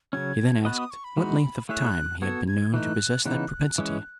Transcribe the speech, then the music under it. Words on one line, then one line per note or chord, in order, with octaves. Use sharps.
He then asked what length of time he had been known to possess that propensity.
C#3 F#3 C#4 G#6
B3 F#4 B4 D#5 F#6
D#6
C#6
B5
E3 G#3 D#4 F#4
A3 E4 G#4 C#5 E5 F#6
B3 F#4 A4 G#6
G#6
E3 A3 D#4 F#6
C#3 E3 B3 D#4 F#6
E3 G#3 C#4